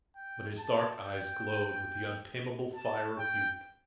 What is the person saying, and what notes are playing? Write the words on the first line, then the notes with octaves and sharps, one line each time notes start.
But his dark eyes glowed with the untamable fire of youth.
G5
A5
G5
A5
G5